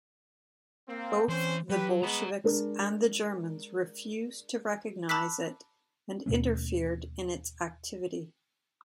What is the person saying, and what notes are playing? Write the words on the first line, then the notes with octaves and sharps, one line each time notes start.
Both the Bolsheviks and Germans refused to recognize it and interfered in its activity.
A#3 C4
E3 C4 C#4 C5
F#3 G4 B4
G#3 B3 F#5 A#5
G#3 D4 A#4
A5 B5 D6 E6 F#6 B6
D#2 B2 A3 C#4